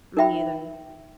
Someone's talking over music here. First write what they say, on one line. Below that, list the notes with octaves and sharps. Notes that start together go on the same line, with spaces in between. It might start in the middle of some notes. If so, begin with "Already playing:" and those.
Me either.
D#4 A#4 E5 G5 B5